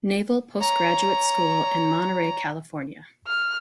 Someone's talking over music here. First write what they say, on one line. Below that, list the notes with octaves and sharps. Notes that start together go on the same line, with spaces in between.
Naval Postgraduate School in Monterey, California.
C#5 A#5
F6